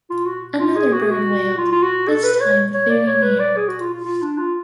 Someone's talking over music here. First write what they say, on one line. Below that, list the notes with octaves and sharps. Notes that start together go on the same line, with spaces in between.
Another bird wailed, this time very near.
F4
F#4
F4
G#4
F#4
G#4
F#4
F4
F4
F#4
A4
B4
B4
C#5
C#5
D5
C#5
B4
D5
G#4
F#4
F4
F4
F4
D4
F4